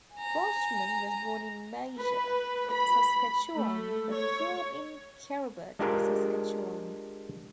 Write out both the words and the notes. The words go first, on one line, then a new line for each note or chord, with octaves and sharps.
Boschman was born in Major, Saskatchewan, but grew up in Kerrobert, Saskatchewan.
G#5 A#5
B4
B5
A3
C#5
G#3 D4 F4 G4 G#4 A#4